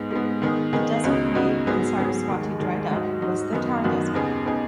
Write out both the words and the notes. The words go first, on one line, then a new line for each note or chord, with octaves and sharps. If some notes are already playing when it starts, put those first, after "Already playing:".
The desert made when Saraswati dried up was the Thar desert.
Already playing: G#2 G#3 B3
G#2 G#3 B3
D#3 B3 D#4 G#4
D#3 B3 D#4 G#4
C#2 C#3 B3 D#4 F#4
C#2 C#3 B3 D#4 F#4
G#2 F#3 B3 G#4
G#2 F#3 B3 G#4
D#2 D#3 G#3
D#2 D#3 G#3
G#2 F#3 D#4 F#4
G#2 F#3 D#4 F#4
F#2 D#3 B3 D#4 F#4
F#2 D#3 B3 D#4 F#4
D#2 C#3 B3 D#4 G#4
C#3 B3 D#4 G#4